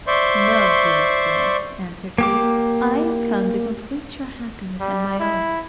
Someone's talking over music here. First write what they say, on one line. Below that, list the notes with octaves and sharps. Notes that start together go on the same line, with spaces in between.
'No, dearest girl,' answered he; 'I am come to complete your happiness and my own.
C5 D5 E5 C6 C#6
A#3 G4 D6
G3
E4